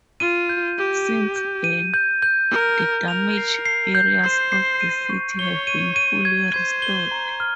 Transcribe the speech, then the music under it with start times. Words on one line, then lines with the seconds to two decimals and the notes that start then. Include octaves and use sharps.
Since then, the damaged areas of the city have been fully restored.
0.20 F4 D#7
0.49 G6
0.78 G4 G6
1.07 D#7
1.36 G6
1.64 D#7
1.94 G6
2.22 G6
2.51 A#4 G6
2.79 G6
3.08 A#4 F7
3.37 C7
3.65 C7
3.95 G6
4.23 C5 C7
4.52 C7
4.81 D#7
5.10 C#6
5.39 C#5 G7
5.67 D#7
5.96 D#7
6.25 G#6
6.54 C5 G#6
6.82 G7
7.12 A#5
7.40 F6